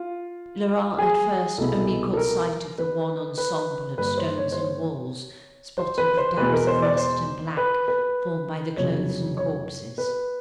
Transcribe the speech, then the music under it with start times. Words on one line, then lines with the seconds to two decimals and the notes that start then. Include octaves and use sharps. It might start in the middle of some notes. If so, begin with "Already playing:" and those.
Laurent at first only caught sight of the wan ensemble of stones and walls, spotted with dabs of russet and black formed by the clothes and corpses.
Already playing: F4
0.98 G#4
1.58 C2 B2 G#3 B3 A4
2.14 A4
2.17 A#4
2.78 B4
3.38 B4
3.98 G2 D3 G3 A#3 B4
4.18 C5
4.37 C#5
4.52 C5
4.58 C#5
5.78 C5
5.98 B4
6.17 C5
6.37 E2 B2 G#3 B4
6.53 A#4
6.67 C5
6.82 D5
6.98 C5
7.57 B4
7.88 B4
8.77 F1 F2 C#3 F#3 C#5
9.37 C#5
9.98 B4